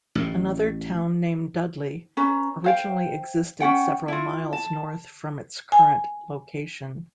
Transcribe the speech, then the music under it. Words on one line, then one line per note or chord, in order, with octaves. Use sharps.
Another town named Dudley originally existed several miles north from its current location.
A1 A2
C#4 B4 A#5
C5 F5 G5
C#4 F#4 F#5 G5
E4 F4
A5
G#5